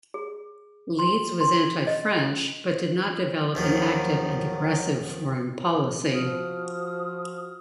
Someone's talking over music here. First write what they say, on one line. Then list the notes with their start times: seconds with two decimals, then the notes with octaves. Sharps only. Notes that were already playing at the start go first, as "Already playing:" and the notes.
Leeds was anti-French but did not develop an active and aggressive foreign policy.
0.14 G#4
0.99 C6
1.41 C6
1.87 D#5
3.55 D#2 D#3 F3 F#3
6.13 F3 F#4 D#6 F6